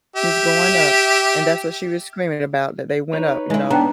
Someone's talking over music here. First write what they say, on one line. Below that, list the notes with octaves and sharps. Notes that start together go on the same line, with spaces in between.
It's going up and that's what she was screaming about that they went up, you know,
G4 E5
D#4 B4 C#5
G#3 E4
B3 D4 G5 A#5